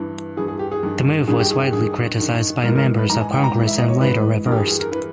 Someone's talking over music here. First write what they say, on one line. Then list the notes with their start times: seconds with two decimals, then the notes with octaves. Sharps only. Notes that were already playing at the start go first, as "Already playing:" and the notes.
The move was widely criticized by members of Congress and later reversed.
Already playing: G2 E3
0.37 G2 E3 G#4
0.48 G#4
0.59 G4
0.71 G#4
0.83 G2 D#3
1.28 G2 D#3 G#4
1.40 G4
1.51 G#4
1.62 G4
1.73 G2 D#3 G#4
2.18 G2 D#3
2.64 G#2 E3 A#4
2.76 A#4
2.98 B4
3.09 G#2 E3 A#5
3.21 G#5
3.32 G5
3.44 A#5
3.54 G#2 E3
3.67 E5
3.78 D#5
3.88 C#5
4.01 G#2 E3 B4
4.46 G2 E3 A#4
4.52 G4
4.57 G#4
4.68 G#4
4.80 A#4
4.92 E3 B4